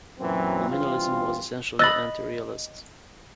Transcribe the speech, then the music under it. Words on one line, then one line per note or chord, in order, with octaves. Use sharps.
Nominalism was essentially anti-Realist.
F#2 A#2 E3 F#3 C4
G2 E3 C4 F4
D#5 B5 E6 F#6 A6